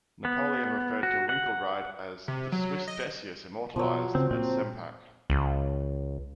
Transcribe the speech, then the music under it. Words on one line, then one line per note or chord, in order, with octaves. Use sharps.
Napoleon referred to Winkelried as "the Swiss Decius immortalized" at Sempach.
B3
F#4
F#5
C3
F#3
D#5
B2 F3 F#3
C#3 C4
A#2 C4
C#2